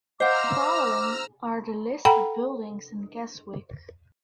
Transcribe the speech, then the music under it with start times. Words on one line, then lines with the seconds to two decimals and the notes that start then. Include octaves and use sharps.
The following are the listed buildings in Keswick.
0.20 C5 D#5 F5 F#5 A#5 D6 E6 F6
2.05 A4 F#5 G5 A#5 B5